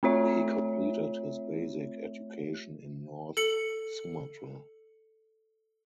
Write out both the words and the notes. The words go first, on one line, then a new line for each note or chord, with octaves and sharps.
He completed his basic education in North Sumatra.
A3 C4 F4 C#5 E5
A4 C#7 F#7